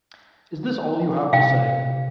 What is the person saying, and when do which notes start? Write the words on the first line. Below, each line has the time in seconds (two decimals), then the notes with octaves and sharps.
Is this all you have to say?
1.33 C3 F5 G5